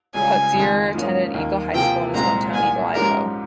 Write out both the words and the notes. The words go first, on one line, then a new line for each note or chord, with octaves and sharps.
Putzier attended Eagle High School in his hometown Eagle, Idaho.
C#2 C#3 G3 G#5
F2 D#3 G#3
G#2 F3 A#3 C#4
D#2 D#3 A#3
C3 F3 A#3 F4 G#4 G5
C2 A#2 G#3 C4 A#5
C2 A#2 F3 G#5
G#2 F3 G#3 C#4 G4 A#4